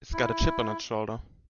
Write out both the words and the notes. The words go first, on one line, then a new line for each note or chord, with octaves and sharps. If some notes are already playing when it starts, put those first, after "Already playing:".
It's got a chip on its shoulder.
E4